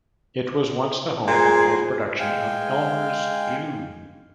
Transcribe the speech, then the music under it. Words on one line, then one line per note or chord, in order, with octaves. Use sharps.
It was once the home for production of Elmer's Glue.
A#2 G#4 C5
G#3 F5 G5 G#5